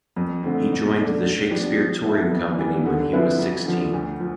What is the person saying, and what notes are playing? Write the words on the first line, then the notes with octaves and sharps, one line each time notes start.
He joined the Shakespeare Touring Company when he was sixteen.
F2
D3 A3 C4
B2
A3 D4
G2
F3 B3 D4 G4
F3
B3 E4 A4
F2
E3 G3 B3
D3
F3 C4 E4 B4
F2
D3 F3
D2
F3